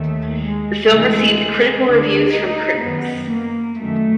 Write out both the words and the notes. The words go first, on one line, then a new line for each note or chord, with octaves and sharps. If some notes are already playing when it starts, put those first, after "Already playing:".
The film received critical reviews from critics.
Already playing: D#2 D#3 A3
G#3
D2 C3 E3 G#3
D2 D3 D4
D#4
F#2 D#3 B3
A#3
F#2 D#3 A3